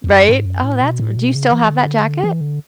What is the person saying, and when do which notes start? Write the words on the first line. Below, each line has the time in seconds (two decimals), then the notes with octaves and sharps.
Right? Oh, that's do you still have that jacket?
0.04 E2
0.10 F#2
0.29 G#2
0.45 F#2
0.63 A2
0.82 B2
1.00 A2
1.17 B2
1.35 C#3
1.52 E3
1.70 D3
2.23 E3
2.41 D3